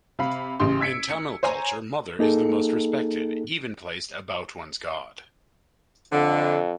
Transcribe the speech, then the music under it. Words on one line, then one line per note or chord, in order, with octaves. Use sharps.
In Tamil culture, Mother is the most respected, even placed about one's god.
C3 F5 B5
A1 C#3 G4 C6
E6 G#6 B6 C#7 D7
C#7
C5 C#5 G#5 A#5
A#3 D#4 G#4 A4
F2 D3